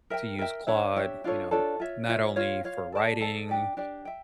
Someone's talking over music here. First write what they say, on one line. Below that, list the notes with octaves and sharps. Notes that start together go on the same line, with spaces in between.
to use Claude, you know, not only for writing
A#4 E5 G5
A#4 E5 G5
D4 G4 C#5 E5
D4 G4 C#5 E5
D4 F4 A4 C#5
D4 F4 A4 C#5
F4 C#5 E5
F4 C#5 E5
F4 C#5 F5
F4 C#5 F5
A4 D5 A5
A4 D5 A5
D4 G4 D5
D4 G4 D5
E5 G5